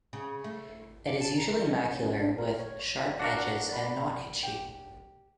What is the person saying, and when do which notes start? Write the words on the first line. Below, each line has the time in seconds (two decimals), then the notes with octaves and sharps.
It is usually macular with sharp edges and not itchy.
0.13 C#3
0.44 A3
1.07 D6
1.21 A5
1.38 A#5
1.52 A#4
1.69 D#5
1.94 C#4
2.19 D4
2.39 A#4
2.60 C#5
3.20 D4 F#4 A#4 F5 F#5
3.69 D5 B5
4.43 G4 G5